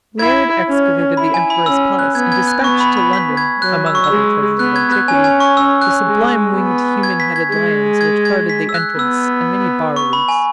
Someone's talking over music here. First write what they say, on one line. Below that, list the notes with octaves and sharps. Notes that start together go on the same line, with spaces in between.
Layard excavated the emperor's palace and dispatched to London, among other treasures of antiquity, the sublime winged human-headed lions which guarded the entrance, and many bas reliefs.
E4 G#6
C#4
E4 B5
G#5
B5
C#4 E6
F#6
B3 G#6
G#6
F#6
B3 C#6
B5
B5
B6
G#6
F#3 F#6
E6
C#6
E6
G#3
B3 F#6
G#6
F#6
C#4 G#5
G#5
C#6
C#4 E6
F#6
G#3
B3
G#6
B6
G#6
G#3 G#6
G#6
G#6
B6
E6
F#6
B3 E6
C#6
B5
G#5